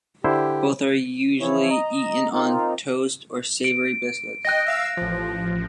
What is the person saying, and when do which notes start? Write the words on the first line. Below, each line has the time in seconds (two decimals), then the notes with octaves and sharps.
Both are also usually eaten on toast or savoury biscuits.
0.24 D3 E4 G4 C5
1.41 E3 F3 E4 C#5
1.70 D#5 A#5
2.33 A#3 C4 D#4 F4
3.64 D7
4.45 D#5 G5 F#6 A#6
4.66 E5 F5 E6
4.97 A1 F3